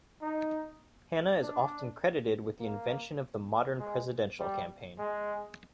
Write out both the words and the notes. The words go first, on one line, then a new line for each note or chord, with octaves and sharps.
Hanna is often credited with the invention of the modern presidential campaign.
D#4
D4
A#3
G#3
G3
G#3